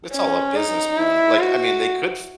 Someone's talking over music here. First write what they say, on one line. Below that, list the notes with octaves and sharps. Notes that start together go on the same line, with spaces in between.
It's all a business plan, like, I mean, they could f
C#4
D#4
E4
F#4